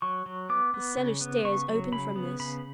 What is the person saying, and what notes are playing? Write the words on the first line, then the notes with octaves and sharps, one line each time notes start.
The cellar stairs opened from this.
F#3 C#6
F#3
B3 D6
B3
C#3
B3
C#3 C#6
F#3
C#3 B5
B3
C#3 B5